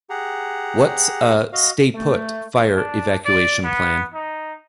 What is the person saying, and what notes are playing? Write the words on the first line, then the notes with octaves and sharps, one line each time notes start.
What's a 'stay put' fire evacuation plan?
G4 G#4 F#5 A#5
F#4 D#5 F5
A3
D4
D5
B3
D#4